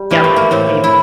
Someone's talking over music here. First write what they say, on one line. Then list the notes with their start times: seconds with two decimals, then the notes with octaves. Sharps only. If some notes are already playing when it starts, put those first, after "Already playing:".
Yep. Same.
Already playing: G3
0.11 E3 A#3
0.24 A3
0.36 A#3
0.51 A2 C4
0.84 E4